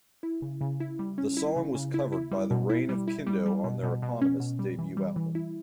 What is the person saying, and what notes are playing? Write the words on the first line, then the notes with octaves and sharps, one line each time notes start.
The song was covered by The Reign of Kindo on their eponymous debut album.
E4
C#3
C#3
E4
G3
C#4
E4
C#3
C#3
E4
E4
G3
B2
E4
G3
E4
G3
G3
B2
B2
B2
C#4
B2
G3
E3
G3
E3
E4